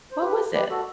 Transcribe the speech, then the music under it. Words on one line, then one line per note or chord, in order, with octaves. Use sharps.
What was it?
C5
G4 B4
G4 B4
F#4 A4